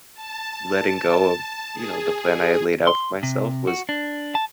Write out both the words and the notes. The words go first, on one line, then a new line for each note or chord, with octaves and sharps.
letting go of, you know, the plan I had laid out for myself was
A5
G#4
C6
C3
F#4
D4
A5